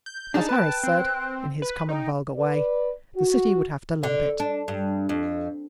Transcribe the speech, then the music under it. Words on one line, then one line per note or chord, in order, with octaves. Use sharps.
As Harris said, in his common, vulgar way, the City would have to lump it.
G6
D4 D#4 G#4 A5
B4 G5 F#6
C4
B4
D#4 D#5 G5
B4 D5
F#4
D3
D4
G2
F2